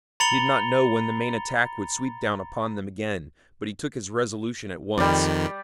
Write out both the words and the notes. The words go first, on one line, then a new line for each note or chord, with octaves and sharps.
He did not know when the main attack would sweep down upon them again, but he took his resolution at once.
A#5 B5 A6 C#7 F7 G7
F2 D#3 G3 D5